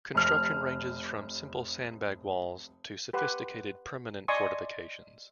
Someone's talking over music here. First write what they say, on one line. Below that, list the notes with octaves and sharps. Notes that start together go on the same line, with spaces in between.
Construction ranges from simple sandbag walls to sophisticated, permanent fortifications.
F1 F6
G4 B4 F#5 C6
D5 D#5 G#5 C6 C#6 D#6